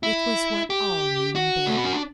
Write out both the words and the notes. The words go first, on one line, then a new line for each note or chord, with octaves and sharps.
It was what all men bear.
E4
G4
F#4
A3
B3
C#4
D4